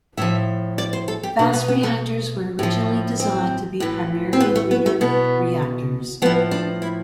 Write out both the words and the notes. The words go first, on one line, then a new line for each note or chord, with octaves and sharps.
Fast reactors were originally designed to be primarily breeder reactors.
A2 F3 E5
D5
C5
A4
G4
B2 D4
B3
B3
A3
A2 F3
C4
A2 E3
C4
B3
A3
B3
A3
B2 B3
A2 F3 B3
D4
E4